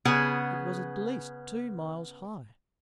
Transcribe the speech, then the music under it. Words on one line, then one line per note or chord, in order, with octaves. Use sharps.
It was at least two miles high.
C#3 B3 G#4 F#5